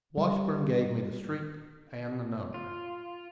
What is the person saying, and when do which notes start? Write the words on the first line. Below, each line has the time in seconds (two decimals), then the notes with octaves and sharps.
Washburn gave me the street and number.
0.18 G3
2.54 F4